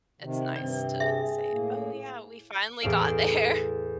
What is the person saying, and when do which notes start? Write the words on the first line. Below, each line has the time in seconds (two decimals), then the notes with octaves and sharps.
it's nice to say, "Oh yeah, we finally got there."
0.21 C3 D#3
0.56 G2 C3 C4 D5
1.00 G#4 E5
1.49 A2 A#3
2.81 E2 A2 F5 D7